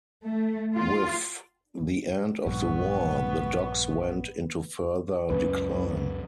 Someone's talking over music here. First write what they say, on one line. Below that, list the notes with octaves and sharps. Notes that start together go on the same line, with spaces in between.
With the end of the war the docks went into further decline.
A3
F4
A#1 G2 B3 C#6
C#2 F#2 C#4 B4